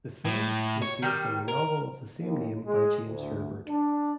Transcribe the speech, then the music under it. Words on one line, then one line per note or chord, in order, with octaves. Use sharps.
The film was based on the novel of the same name by James Herbert.
A2
C#5
D#3 G3
A#4
D#2
G#3
D2
D4